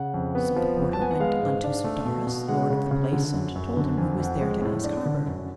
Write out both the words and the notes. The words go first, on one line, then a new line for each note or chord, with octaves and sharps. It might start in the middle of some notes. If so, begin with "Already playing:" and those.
So the porter went unto Sir Darras, lord of the place, and told him who was there to ask harbour.
Already playing: C#3 F#5
F2
B3
F3
F2
A5
B3 G#5
F#5
G#3 F5
G#2
D4
A3
B2
B2
G#3 F#5
C#3
C#3
D3
F#2
F#2
D3
F2 G#5
F2 F#5
G#3
A2
D4
D3
F#2